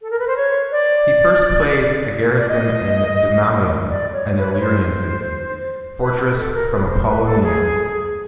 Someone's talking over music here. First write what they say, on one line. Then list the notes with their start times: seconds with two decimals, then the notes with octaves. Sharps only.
He first placed a garrison in Dimallum, an Illyrian city-fortress from Apollonia.
0.02 A4
0.10 A#4
0.19 B4
0.27 C5
0.37 C#5
0.72 D5
2.38 D5
2.49 D#5
3.90 D5
4.13 C#5
4.36 B4
4.53 C#5
4.60 C5
6.01 B4
6.36 A4
6.54 A#4
6.71 B4
6.89 C5
7.08 B4
7.25 A4
7.42 G#4